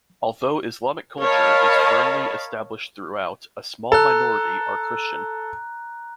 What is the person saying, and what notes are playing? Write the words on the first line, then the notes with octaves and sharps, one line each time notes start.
Although Islamic culture is firmly established throughout, a small minority are Christian.
A#4 C#5 D#5 F5 A5 B5
A4 A#5 F#6